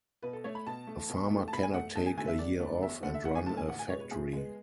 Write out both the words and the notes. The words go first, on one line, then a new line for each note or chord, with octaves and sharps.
A farmer cannot take a year off and run a factory.
B2 B4
A4
A3 C#5
B5
B2 A5
A3
B2
A3
A5
B2 B5
G#5
A3 F#5
E2 A5
G#5
D3 A3 G#5
E5
E2 D5
D3 A3
E2 E5
D3 A3 F#5
E5
E2 F#5
G#5
D3 A3 A5
G#5
A2 F#5
G#5
G#3 B3 C#5
B4
A2 G#4
G#3 B3